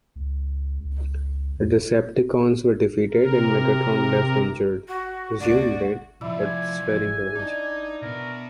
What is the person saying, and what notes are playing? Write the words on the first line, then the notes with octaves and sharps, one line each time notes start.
The Decepticons were defeated and Megatron left injured, presumed dead, but swearing revenge.
C#2
C#2
E2
C3 A#4
F#4
D2 F#4 D5
C2 F3 E4 D5
G#5
D4 D#4 D#5
B2 B3 A#4